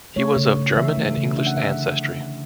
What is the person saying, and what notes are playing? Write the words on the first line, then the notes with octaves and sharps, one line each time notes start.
He was of German and English ancestry.
A3 C#5
C#3
C#3
E3 E5
A3
C#3
D4 E5
F#5
D3 E5